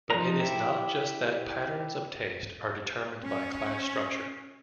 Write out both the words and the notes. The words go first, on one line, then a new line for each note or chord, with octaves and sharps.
But it is not just that patterns of taste are determined by class structure.
F3 D#4 A#5
E4 G4 E5
C#4